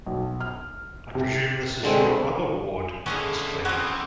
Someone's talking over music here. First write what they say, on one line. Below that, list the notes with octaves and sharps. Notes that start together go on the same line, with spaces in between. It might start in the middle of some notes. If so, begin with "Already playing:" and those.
I presume this is your other ward, Miss Clare?
B1
F6
C3
D3 G#3 C4
D3 B3 C#4 D4 E4 G#4 D#5 F5
E3 C4 C#4 F#4 D#6